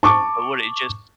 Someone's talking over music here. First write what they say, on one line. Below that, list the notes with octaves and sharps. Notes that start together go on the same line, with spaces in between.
but would it just
A5 C#6 D6